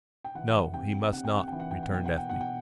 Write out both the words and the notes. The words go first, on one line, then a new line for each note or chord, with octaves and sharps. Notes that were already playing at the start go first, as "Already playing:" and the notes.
"No, he must not," returned Ethne.
G5
E3 F#5
C3 G5
C3 F#5
G5
F#5
E3 G5
F#5
G5
F#5
B2 G5
F#5
G5
B2 F#5
G5